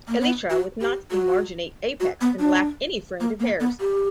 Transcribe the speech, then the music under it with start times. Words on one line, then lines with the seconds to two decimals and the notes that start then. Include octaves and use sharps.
Elytra with not emarginate apex and lack any fringe of hairs.
0.08 A#3
0.21 B3
0.50 F#4
0.81 G4
1.11 F#4
2.00 F#4
2.21 B3
2.40 D4
3.20 A#3
3.40 A#3
3.60 B3
3.80 G4